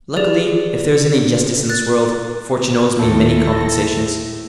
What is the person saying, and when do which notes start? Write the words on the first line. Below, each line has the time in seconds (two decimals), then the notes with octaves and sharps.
Luckily, if there is any justice in this world, fortune owes me many compensations.
0.17 G4 G#4 D5
1.69 F#6 A6
2.99 D#2 A2 A4 A#6